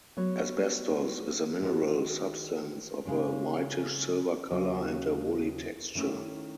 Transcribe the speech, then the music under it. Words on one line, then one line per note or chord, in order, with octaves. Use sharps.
Asbestos is a mineral substance of a whitish silver color and a woolly texture.
F#3 B3 F#4 C#5
D#3 G#3 D#4 F#4 B4
C#3 G#3 C#4
D#2 C#3 F#3
D#3 A3 C#4 E4